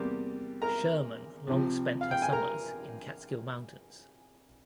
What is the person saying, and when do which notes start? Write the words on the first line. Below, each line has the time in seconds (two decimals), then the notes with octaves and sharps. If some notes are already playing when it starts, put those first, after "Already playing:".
Sherman long spent her summers in Catskill Mountains.
Already playing: E2 C3 G3 A#3 G4
0.62 A#4 A#5
1.47 C2 C3 F3
2.01 F5
2.11 G5
2.22 G#5
2.33 A#4 A#5